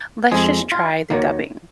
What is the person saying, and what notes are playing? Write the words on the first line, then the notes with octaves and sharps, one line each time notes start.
let's just try the dubbing,
F2 F3 G#3 G#4
F4
D#2 D#3 F#3 A#3